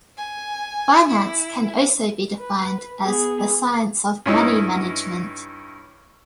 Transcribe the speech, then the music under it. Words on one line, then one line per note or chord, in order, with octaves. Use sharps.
Finance can also be defined as the science of money management.
G#5
E4
B4
B3 G#4
G2 C#4 D#4 E4